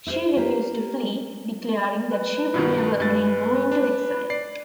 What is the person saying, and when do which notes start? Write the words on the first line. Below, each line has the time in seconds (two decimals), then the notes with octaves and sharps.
She refused to flee, declaring that she would never again go into exile.
0.07 E4 F4 G#4 C5
0.37 A#3 G4 B4
2.11 B4
2.54 G2 B2 D#3
3.00 G2 A6
3.72 D4
4.30 D5 C7